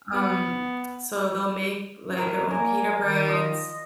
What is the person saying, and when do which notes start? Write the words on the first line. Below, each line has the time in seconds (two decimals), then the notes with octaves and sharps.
um so they'll make, like, their own pita breads,
0.13 B3
2.17 A2 F#3 A#4
2.50 A#3 A#4 D5 G#5
3.00 D#3
3.28 F3 D#5